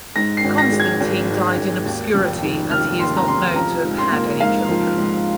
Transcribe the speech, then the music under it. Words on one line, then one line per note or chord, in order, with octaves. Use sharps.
Constantine died in obscurity and he is not known to have had any children.
G#2 A#6
C7
G#1
A#6
G#3
G#6
G#1
G#2
G#1
D#2
F1
D#3
F1 F6
D#2 C6
A#5
F1 C6
F3 A#5
G#2
C6
A#3
G#2 F5
F3
G#2